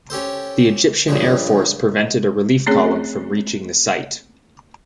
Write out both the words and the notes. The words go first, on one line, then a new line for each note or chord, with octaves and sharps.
The Egyptian air force prevented a relief column from reaching the site.
C#4 G4 A4 C5
G2 A#2 C#3 F3
A3 C4 C#4 G#4 C#5 F#6